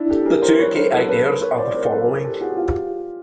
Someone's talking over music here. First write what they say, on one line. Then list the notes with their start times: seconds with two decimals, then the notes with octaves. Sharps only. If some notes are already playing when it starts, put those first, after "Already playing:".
The two key ideas are the following.
Already playing: D4 E4
0.10 G4 A4
0.26 G#4 A#4
0.42 A#4 C5
0.58 B4 C#5
0.75 A#4 C5
0.92 A4 B4
1.08 A4 B4
1.25 A#4 C5
1.41 B4 C#5
1.58 C5 D5
1.74 A#4 C5
1.91 A4 B4
2.07 G#4 A#4
2.24 G4 A4
2.41 F#4 G#4
2.57 F4 G4